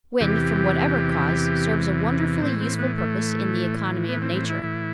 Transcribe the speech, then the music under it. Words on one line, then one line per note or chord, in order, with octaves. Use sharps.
Wind from whatever cause serves a wonderfully useful purpose in the economy of nature.
E2 C3 E3 G4
A2 E3 C4
C4
B3
A3
B3
C4
C4
E4
A2 E3